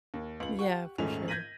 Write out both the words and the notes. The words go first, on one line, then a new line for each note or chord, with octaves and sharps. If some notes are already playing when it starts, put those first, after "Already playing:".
Yeah, for sure.
D#2
C#2 F#7
G4 F#5 C#6
D#1 G#2 A3 C#4 F7
G6 G#6 A#6 B6 D#7 F#7